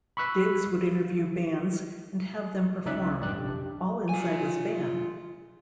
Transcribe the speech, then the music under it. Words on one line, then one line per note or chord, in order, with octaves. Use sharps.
Digs would interview bands and have them perform - all inside his van.
B5 C#6 E6 F#6 B6
C#2 C#4 D#4 D5 E5 F#6
A1 G2 D5 G5 F#6
A#1 F2 C3
D4 G4
F4 G#5